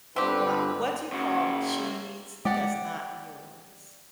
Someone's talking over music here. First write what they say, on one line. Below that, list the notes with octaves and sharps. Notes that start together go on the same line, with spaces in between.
wha what do you call cheese that's not yours?
G1 D3 C4 G4 B4
C#3 F#4
G#3 G4 D5 F#5